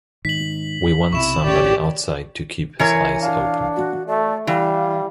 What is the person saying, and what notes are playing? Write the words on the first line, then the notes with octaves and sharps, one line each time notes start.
We want somebody outside to keep his eyes open.
G#2 D#3 B6 F#7
B1 C3 E4 C#6 E7
A1 C#3 G4 C#5 D5
E3 A#4 C#5 G#5
D4 F5
F#4
A3 D5
E3 G3 F5